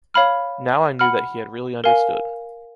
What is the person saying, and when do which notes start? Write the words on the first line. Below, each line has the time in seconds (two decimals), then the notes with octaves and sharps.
Now I knew that he had really understood.
0.14 C#5 F5 B5 F6
0.99 F#5 B5 F6
1.84 A#4 F5 G#5